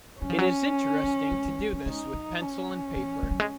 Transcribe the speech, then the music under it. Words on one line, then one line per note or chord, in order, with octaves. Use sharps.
It is interesting to do this with pencil and paper.
F#3 C#4
F3
F#3
F#3
G#3
G#3
F#3
F#3
G#3 D#4
F#3
C#4
F3
G#3
F#3
G#3